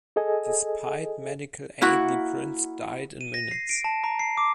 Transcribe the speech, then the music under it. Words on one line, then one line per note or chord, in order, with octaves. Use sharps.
Despite medical aid, the prince died in minutes.
G#4 A4 D#5 G#5
A#3 E4 F#4 F#5
D#7
A#6
C7
D7
A5
A#5
C7
D6